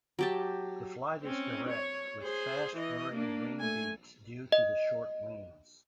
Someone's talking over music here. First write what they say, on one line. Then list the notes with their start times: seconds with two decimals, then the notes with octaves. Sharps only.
The flight is direct, with fast whirring wing beats due to the short wings.
0.19 F#3 G4 A5
1.23 C4 C#4
1.69 C#5
2.22 G#4 C5
2.75 E3 D#5
3.13 A#3 D4
3.59 A3 G#5
4.52 D#5